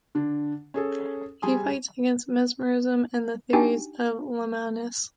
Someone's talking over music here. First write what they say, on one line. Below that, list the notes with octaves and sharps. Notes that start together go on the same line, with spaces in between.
He fights against mesmerism and the theories of Lamennais.
D3 D4
C#4 G#4 A4
G3 G#4 G#5 C6 D#6
D4 D#4 F#4 G4 G5 G#5